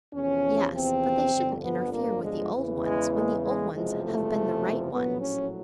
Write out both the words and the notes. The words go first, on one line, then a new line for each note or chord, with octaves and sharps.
"Yes; but they shouldn't interfere with the old ones when the old ones have been the right ones."
E2 C3 F3 C#4
C4
G1 F2 D3 F3
B3
A#3
G#3
E2 C#3 E3
G#3
G#3
G#3
F#1 E2 C3 F3 G#3
A3
A#1 A2 F#3 B3
C#4